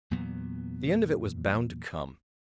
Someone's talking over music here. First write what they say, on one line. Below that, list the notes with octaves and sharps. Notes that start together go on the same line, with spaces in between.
The end of it was bound to come.
E2 A#2 F#3 B3